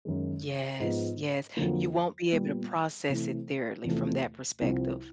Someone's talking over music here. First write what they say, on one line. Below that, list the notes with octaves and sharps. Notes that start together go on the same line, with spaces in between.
Yes, yes, you won't be able to process it thoroughly from that perspective,
F#2 D#3 G#3
G#2 F3 G#3 B3
F2 D3 F#3 A#3
A#2 G3 B3
C3 E3 A3
E2 C3 F3 A3
C2 C3 F3